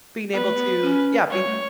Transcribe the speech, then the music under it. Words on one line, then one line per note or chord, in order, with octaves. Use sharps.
being able to, yeah, being
B3 B4
A3
B3
C#4
G3 C#5
A3